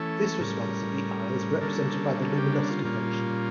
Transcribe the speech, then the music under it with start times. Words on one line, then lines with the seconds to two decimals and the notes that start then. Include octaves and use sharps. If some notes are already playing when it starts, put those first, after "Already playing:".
This response of the eye is represented by the luminosity function.
Already playing: E3 A3 C#4 A4
0.40 A2 G3 C#4 A#4
1.61 D3 G3 A#3 C#4 A4
2.22 A4
2.38 G4
2.53 D4
2.69 F4
2.84 A#2 G3 A#3 C#4